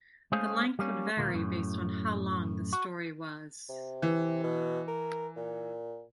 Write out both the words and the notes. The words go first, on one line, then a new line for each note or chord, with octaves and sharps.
The length would vary based on how long the story was.
G#3 A3 C#4 G#4 C5 F5
G3 A#3 C#4
D2 A#2 A#3
F#2 A2
F#4
C3
E3
B2
A#4
A#2